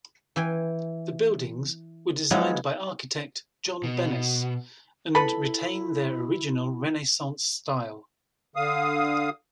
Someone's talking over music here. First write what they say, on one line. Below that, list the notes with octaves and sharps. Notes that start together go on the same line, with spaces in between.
The buildings were designed by architect John Bennes and retain their original Renaissance style.
E3 G5 G#5
F3 F#3 G#3 B3 D#4 E4
B2
E4 A4 B4 B5
D3 F5 D#6